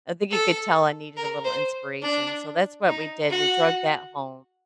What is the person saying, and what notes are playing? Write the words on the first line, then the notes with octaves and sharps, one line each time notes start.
I think he could tell I needed a little inspiration. So that's what we did. We drugged that home.
A4
A#4
C5
D4
D#4
F#4